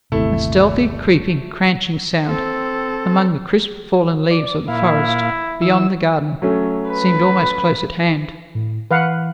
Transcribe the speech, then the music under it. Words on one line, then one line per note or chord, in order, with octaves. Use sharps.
A stealthy, creeping, cranching sound among the crisp fallen leaves of the forest, beyond the garden, seemed almost close at hand.
G1 D#2 C3 A3 E4
C4 A4
D5
A#2 E4 F5
E3 E6
F#3 A3 C#4
B4
A2
E3 B4 F5 F#5